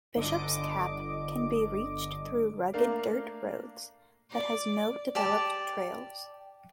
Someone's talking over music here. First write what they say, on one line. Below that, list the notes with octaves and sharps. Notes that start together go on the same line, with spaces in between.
Bishop's Cap can be reached through rugged dirt roads, but has no developed trails.
G1 D3 D#5 D6
A3 A#3 D4 A#4 F5
D5
G4 D5 A5